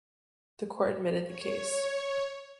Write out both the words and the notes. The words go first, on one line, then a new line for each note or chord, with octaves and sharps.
The court admitted the case.
C#5